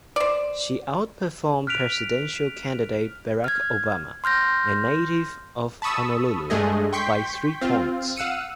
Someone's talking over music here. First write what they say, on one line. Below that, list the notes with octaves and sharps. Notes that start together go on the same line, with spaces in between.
She outperformed presidential candidate Barack Obama, a native of Honolulu, by three points.
C5 D5
F6 F#6 B6 D7 F7
F6 G#6
C6 F6 G6 A#6
A5 B5 C#6 D#6 E6
G2 G#3 A3 G#4 D#5
G5 C6 C#6 G6 B6
C4 F4
F5 F#5 E6 C#7 D#7